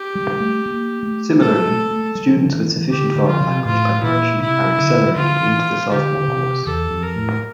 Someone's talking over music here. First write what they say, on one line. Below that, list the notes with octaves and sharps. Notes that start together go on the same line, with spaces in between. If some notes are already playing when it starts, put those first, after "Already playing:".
Similarly, students with sufficient foreign language preparation are accelerated into the sophomore course.
Already playing: G4
G3
A3
A#3
A3
G3 A4
A3
A3
G3
F3
E3
E3
D3 G4
D3
F4
C3
A2 F4
A#2 E4
C3 E4
D3
E3
D3 F4
E3
D3 G4
D3
C3
E2 A4
F2
A#4
A2